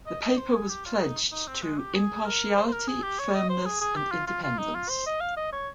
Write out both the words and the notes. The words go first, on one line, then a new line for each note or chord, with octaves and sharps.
The paper was pledged to "impartiality, firmness and independence".
D#5
D#5
C5
G#4
G4
F4
D#4
D#4
C4
G#3
G4
G#4
A#4
C5
C5
A#4
G#4
G4
C#5
D#5
C5
G#4
G#4
G4
F4
F4
F4
D#4
F4
C5
D#5
F5
D#5
C#5